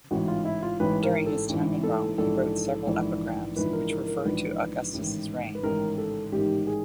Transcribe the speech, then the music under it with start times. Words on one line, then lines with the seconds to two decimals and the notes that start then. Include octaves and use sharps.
During his time in Rome, he wrote several epigrams, which refer to Augustus' reign.
0.11 A1 G#2 E3 F#4
0.28 F4
0.45 E4
0.63 F4
0.80 A1 G#2 E3 B4
1.03 A#4
1.26 A4
1.49 A1 G#2 E3
1.83 A4
2.18 A#1 G#2 E3 A4
2.87 A#1 G#2 E3
3.56 A#1 G#2 E3 B4
3.73 A#4
3.91 A#4
4.07 A#4
4.25 A#1 G#2 E3 B4
4.94 A1 G#2 D#3
5.55 B4
5.63 A1 G#2 D#3 A#4
5.98 A4
6.32 A1 G#2 D#3 G4
6.67 G#4